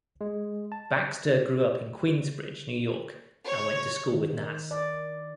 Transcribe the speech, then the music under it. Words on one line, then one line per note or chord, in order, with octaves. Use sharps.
Baxter grew up in Queensbridge, New York, and went to school with Nas.
G#3
A5
C#5
D#3
D5